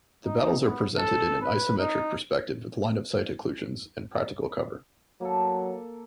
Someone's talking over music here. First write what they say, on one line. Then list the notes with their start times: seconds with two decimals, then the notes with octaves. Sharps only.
The battles are presented in an isometric perspective with line-of-sight occlusions and practical cover.
0.25 D#4
0.65 B3
0.98 A4
1.42 B4
1.78 D#4
5.21 F#3 A#3 A4